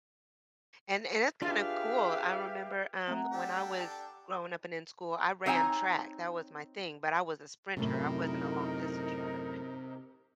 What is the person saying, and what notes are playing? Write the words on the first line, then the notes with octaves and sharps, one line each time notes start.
And and it's kinda cool. I remember, um, when I was growing up and in school, I ran track. That was my thing, but I was a sprinter. I wasn't a long-distance runner,
D4 F4 G4 G#4 B4 E5 F5
A3 C4 F#5 A#5
D4 G4 A4
G5 A5
B3 C4 D#4 C#5 G#5 A#5
F#2 A2 C3 D#4 A#4